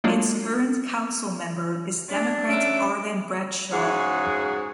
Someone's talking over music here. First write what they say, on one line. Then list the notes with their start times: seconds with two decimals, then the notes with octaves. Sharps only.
Its current councilmember is Democrat Arlyn Bradshaw.
0.04 F#3 G#3 A#3 D4 F4 F#4
2.08 D4
2.49 C#4 E5 D7
3.71 G#2 C#3 F#4 G#4 F#5